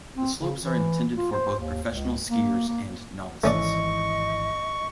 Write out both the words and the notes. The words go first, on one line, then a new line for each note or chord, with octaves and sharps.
The slopes are intended for both professional skiers and novices.
C4
C#3
E3
F4
C5
D#2
C#2
A#3
A#3
G#1 E3 A3 C#4 D5 D#5 C#6